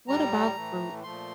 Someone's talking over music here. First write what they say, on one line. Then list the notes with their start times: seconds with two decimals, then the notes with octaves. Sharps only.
what about fruit?
0.08 A2 G3 A#5
0.56 A2 E3 A3
1.03 A#2 F3 A3 C6